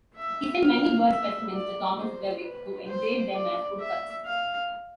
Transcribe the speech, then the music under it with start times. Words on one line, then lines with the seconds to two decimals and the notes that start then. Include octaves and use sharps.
He sent many bird specimens to Thomas Bewick who engraved them as woodcuts.
0.16 E5
0.62 F5
1.07 E5
1.53 D5
1.97 C5
2.43 B4
2.88 C5
3.34 D5
3.80 E5
4.25 F5